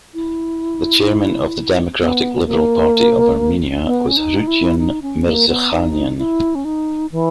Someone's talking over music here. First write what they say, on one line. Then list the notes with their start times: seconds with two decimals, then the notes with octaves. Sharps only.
The chairman of the Democratic Liberal Party of Armenia was Harutyun Mirzakhanian.
0.14 E4
2.00 B3
2.46 A#3
3.86 B3
4.08 C#4
4.17 D#4
4.47 E4
4.78 D#4
5.02 C#4
5.25 A#3
5.49 B3
5.71 D#4
6.18 E4
6.55 C#4
6.65 D#4
7.12 E3